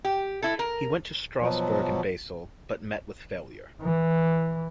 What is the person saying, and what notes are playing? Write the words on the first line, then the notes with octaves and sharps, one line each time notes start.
He went to Strasburg and Basel, but met with failure.
G4
E4 A4
A#4
B2 F3 F#3
E3